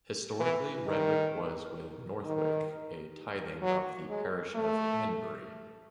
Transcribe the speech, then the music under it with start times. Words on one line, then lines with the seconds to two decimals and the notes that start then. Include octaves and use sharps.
Historically Redwick was, with Northwick, a tything of the parish of Henbury.
0.40 E3
0.87 D#3
2.25 D#3
3.63 F#3
4.09 G#3
4.55 A3